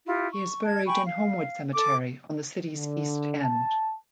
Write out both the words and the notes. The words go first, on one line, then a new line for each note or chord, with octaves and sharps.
He is buried in Homewood Cemetery on the city's east end.
E4 F4 G4
C#6
D#5 A5 G#6
G5 G#5 B5 C#6
F5
A4 D6
D3
A5